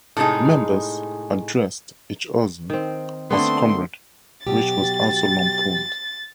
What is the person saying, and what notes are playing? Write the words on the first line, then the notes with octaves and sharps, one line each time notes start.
Members addressed each other as 'comrade', which was also lampooned.
A2 C3 G#3 D#4 G#4
D#3 C4
D3 A3 B3 C4 C6
B2 F#3 G4 A6